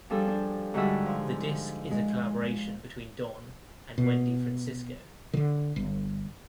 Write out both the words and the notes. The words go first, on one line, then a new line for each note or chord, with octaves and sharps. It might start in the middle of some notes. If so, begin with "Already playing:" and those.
The disk is a collaboration between Don and Wendy Francisco.
F3 G3 D4 G#4 A4
D4
G#2 D3 G3 F#4 G#4 E5
F3
G#3
B2
D3 D#3
G1